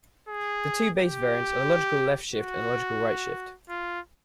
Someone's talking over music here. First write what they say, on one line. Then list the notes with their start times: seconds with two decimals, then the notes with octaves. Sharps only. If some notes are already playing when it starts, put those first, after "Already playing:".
The two base variants are the logical left shift and the logical right shift.
0.29 G#4
0.97 G4
2.33 F#4
3.69 F4